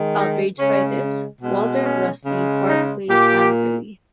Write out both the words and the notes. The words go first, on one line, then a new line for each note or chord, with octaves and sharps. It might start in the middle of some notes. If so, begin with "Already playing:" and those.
Outraged by this, Walter and Rusty part ways angrily.
Already playing: D#3 G#3
D#4
C#3 G#3 C#4
B2 G#3
C#4
C#3 G#3
D#4
A#2 A#3 G4